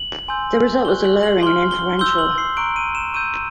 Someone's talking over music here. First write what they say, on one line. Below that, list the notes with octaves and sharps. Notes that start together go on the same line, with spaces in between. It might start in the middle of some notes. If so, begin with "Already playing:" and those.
The result was alluring and influential.
Already playing: F#7
G#5 C6 E6 G6
C#6 F#6 G7
F#7
F#7
C6 F6 G7
G7
C6 E6 G6 G7
F#7
C7
A#5 C#6 F#6 D7
D#7
E7
C#6 E6 G6 D#7